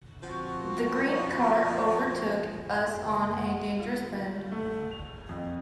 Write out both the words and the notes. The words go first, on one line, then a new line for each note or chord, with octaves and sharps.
The green car overtook us on a dangerous bend.
F3 C4 F#4
F#1
F#5
F4
A3
F7
F2